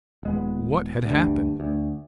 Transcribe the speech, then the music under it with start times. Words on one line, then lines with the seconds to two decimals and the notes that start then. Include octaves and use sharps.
What had happened?
0.23 D#1 G#3 B3
1.05 D2 G2
1.60 D2